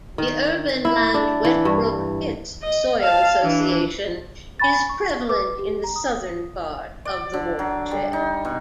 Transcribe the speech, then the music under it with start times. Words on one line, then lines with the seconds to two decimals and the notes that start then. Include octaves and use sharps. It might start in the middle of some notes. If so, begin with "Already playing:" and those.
The Urban Land-Wetbrook-Pitts soil association is prevalent in the southern part of the watershed.
0.18 D#3
0.85 E4
1.14 D4
1.45 E3
1.65 G2
2.63 D#5
3.01 F5 A5
3.42 E3 D4
4.60 G#5 B5 C#6 A6
4.89 C#6
5.29 B4 D6
5.59 G4
5.84 A#5
5.96 D#6
7.05 D5
7.33 D3
7.59 F#3
7.91 G3
8.13 D#4
8.45 B2